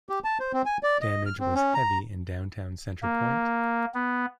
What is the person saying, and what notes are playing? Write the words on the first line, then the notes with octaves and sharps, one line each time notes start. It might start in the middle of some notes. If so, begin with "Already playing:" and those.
Damage was heavy in downtown Center Point.
G4
A5
C5
C4
G#5
D5
D#5
F6
C4
C#4
A#5
A#3
B3